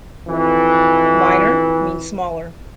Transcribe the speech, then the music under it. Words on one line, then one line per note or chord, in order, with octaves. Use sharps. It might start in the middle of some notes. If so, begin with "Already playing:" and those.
"Minor" means 'smaller'.
F2 E3